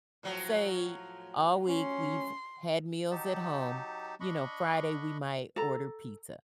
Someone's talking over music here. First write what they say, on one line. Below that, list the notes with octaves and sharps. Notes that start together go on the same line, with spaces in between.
say, all week we've had meals at home, you know, Friday we might order pizza.
A2 F3 F#3
C#4 C6
F#3 D#4 G4 A5
D4 D#5 B5 C#6
A4 A#5